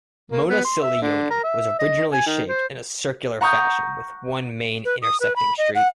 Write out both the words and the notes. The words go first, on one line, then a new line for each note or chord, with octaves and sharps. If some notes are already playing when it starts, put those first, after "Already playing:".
Monacilioni was originally shaped in a circular fashion with one main intersecting street.
A#3
B3
C6
E5
D3
A#4
E5
D#5
G#5
D#3
C5
F#5 A#5 C#6 D#6 G6
B4
D#6
B4
B5
D#5
F#5